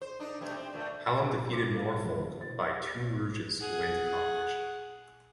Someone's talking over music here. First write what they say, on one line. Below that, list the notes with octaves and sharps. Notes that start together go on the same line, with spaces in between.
Hallam defeated Norfolk by two rouges to win the competition.
C5
D4 D#4
B2 G3 A3
C4
A#2 D3 A3
D#4 A4 C6 D6 C#7
A4 A#4 F5
F#1 F2 G#3 E4 B5
D3
B2 E4 C5 A6
G#4 F#5